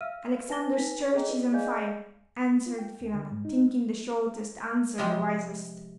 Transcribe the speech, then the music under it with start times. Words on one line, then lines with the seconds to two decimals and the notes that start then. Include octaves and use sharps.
'Alexander's church is on fire,' answered Philammon, thinking the shortest answer the wisest.
0.01 E5 F5 E6 F6 D#7
0.48 B4 G#5 A5 A#6 G7
0.76 D#4 B4 G#5 B6
1.13 G#4 A4 C#5 D#5 G5 A#5
1.29 E4 B4 D5
1.52 G#4 D5 D#5 F5 G#5 G6
2.66 F4
2.78 G5
3.01 D2
3.14 D3
3.32 G#2
3.45 D#4
4.98 C3 F3 G3 G#3 C4